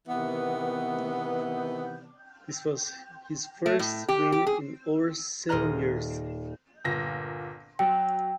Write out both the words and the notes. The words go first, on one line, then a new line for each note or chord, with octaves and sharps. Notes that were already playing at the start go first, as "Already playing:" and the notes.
This was his first win in over seven years.
C3 D#3 E3 B3
A3
A2
G4
G4
G#4
D#1 A#4 C5 D#5 A#5 F#6
G1 A#2 A#6
F#3 G5